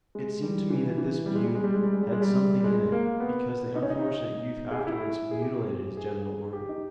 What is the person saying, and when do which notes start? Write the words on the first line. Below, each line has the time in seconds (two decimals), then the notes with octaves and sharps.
It seemed to me that this view had something in it, because the unfortunate youth afterwards mutilated his genital organs.
0.15 G#3
0.42 G3
0.70 E3
0.98 E3
1.26 G3
1.35 G#3
1.45 G3
1.55 G#3
1.64 G3
1.74 G#3
1.83 G3
1.93 G#3
2.03 G3
2.12 G#3
2.22 G3
2.60 G3
2.64 G#3
2.92 A#3
3.20 B3
3.75 D#4
3.83 C#4
3.90 D#4
4.71 G#4
4.78 G4
4.87 E4
5.31 G#4
5.41 G4
5.97 G#4
6.53 G4
6.69 D#4